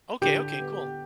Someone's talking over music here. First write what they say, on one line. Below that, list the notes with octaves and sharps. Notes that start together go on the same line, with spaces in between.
Okay, okay, cool.
D3 G4
B3